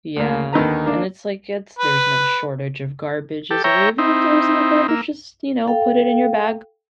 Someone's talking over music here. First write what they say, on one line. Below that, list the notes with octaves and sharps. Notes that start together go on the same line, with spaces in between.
Yeah, and it's like it's there's no shortage of garbages or even if there isn't a garbage, just, you know, put it in your bag.
D2 A#3
D#2 D3 D#3 D#4 B4 A#5
A#3 D4
B4
G4 A4
C#5 E5 G5 A#5
C4 D#4 E4
A#3 E6
A4 F5 G5